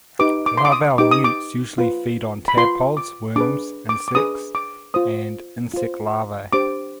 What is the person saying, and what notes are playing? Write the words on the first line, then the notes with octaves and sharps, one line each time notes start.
Larval newts usually feed on tadpoles, worms, insects and insect larvae.
D#4 G4 B4 D6
D6
C6
D6
D#6
D#4 G4 B4 D6
D#6
D6
F4 B4
B5
F4 B4 C6
D6
D4 G#4 B4 D6
D6
D6
D4 G#4 B4 D#6
D6
F4 C5 D#6
F4 C5
D4 G4 C5 D6